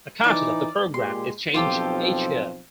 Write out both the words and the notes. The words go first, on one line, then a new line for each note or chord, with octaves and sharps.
The content of the program is changed each year.
E3 D#4 D5
A#2 G#3 G4 C6
B1 F3 C4 F4 G4 A4